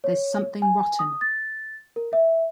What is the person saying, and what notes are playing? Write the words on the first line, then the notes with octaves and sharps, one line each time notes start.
There's Something Rotten...
C#5
G#5
D#6
A6
A#4
E5